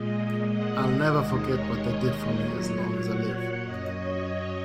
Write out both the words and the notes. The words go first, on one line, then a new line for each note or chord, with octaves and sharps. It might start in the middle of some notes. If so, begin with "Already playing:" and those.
I'll never forget what they did for me, as long as I live.
Already playing: A#2 G#3 D#5
D#5
F#5
F#5
D#2 D#3 G#3 D#5
C#5
C#5
A#2 F#3 C#5
C#5
F#5
F#2 F#3 D#5
C#5